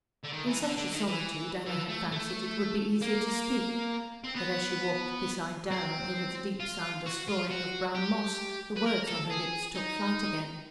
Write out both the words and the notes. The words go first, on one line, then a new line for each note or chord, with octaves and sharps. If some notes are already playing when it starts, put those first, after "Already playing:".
In such a solitude Anna had fancied it would be easier to speak; but as she walked beside Darrow over the deep soundless flooring of brown moss the words on her lips took flight again.
D3
D#3
E3
D3
D3
D#3
E3
E3
A3
A3
A#3
C4
B3
C4
F4
F#4
F4
F#4
G4
B4
A#4
A4
G#4
D#4